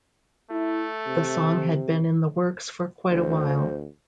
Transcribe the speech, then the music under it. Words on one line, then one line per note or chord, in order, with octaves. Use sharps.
The song had been in the works for quite a while.
A3 E4
C3
D2 C5